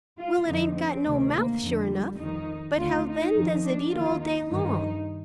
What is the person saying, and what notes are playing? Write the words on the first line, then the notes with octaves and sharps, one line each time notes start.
"Well, it ain't got no mouth, sure enough; but how then does it eat all day long?"
F4
F2 D3 D#4
C4
D2 C3 D#3
A#3
F2 D3
G3
F2 D#3 D#4
D2 D3 F4
D#4
F2 D#3
D4
D#2 D#3 F4
D#4
G2 D#3 D#4